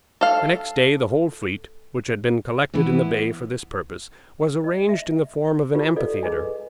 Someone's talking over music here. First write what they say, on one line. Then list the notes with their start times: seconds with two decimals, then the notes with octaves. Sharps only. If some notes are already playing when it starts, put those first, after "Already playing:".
The next day the whole fleet, which had been collected in the bay for this purpose, was arranged in the form of an amphitheatre.
0.21 A4 F5
2.74 E3 B3 E4
4.64 D#5
4.89 E5
5.75 F4 G4 B4
5.96 A4 D5 D#5 F5
6.23 G#4 B4 D#5 G#5